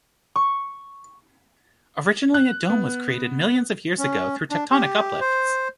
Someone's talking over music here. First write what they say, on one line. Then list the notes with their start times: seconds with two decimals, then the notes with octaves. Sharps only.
Originally a dome was created millions of years ago through tectonic uplifts.
0.36 C#6
2.34 F#6
2.70 B3
3.99 C#4
4.51 D4
4.72 G4
5.21 C5